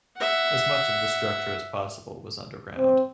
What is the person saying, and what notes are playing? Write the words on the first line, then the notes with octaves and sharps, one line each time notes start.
As much of the structure as possible was underground.
E5 F#5
C4